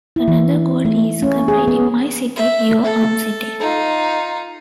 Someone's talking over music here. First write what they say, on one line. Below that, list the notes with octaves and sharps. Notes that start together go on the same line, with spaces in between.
Another goal is completing "My City", your own city.
E4
E3
A3
C#4
G#4
B3
E5
A4
D#4 F4